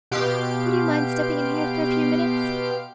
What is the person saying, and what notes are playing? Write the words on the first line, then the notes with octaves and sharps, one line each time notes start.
Would you mind stepping in here for a few minutes?
B2 G4 F5 C6 D7